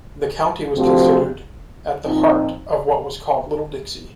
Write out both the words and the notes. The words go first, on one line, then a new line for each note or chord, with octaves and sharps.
The county was considered at the heart of what was called Little Dixie.
D2 C3 F3 C4 G4
A#2 F3 C4 D#4